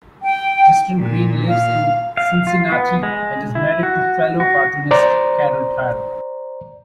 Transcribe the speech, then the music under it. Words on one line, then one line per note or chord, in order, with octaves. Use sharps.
Justin Green lives in Cincinnati, and is married to fellow cartoonist Carol Tyler.
G5
A#2
F5
F5
F4
B3
G#3
E4
F#4
F#4
C5 D5 A#5